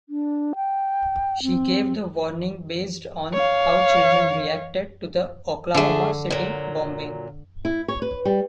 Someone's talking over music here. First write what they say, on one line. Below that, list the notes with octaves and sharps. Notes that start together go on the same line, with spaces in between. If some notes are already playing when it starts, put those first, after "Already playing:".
She gave the warning based on how children reacted to the Oklahoma City bombing.
D4
G5
C4
C#5 F5
D3 A3 G#4
A#2 F#3
E4
C#5
B4
G3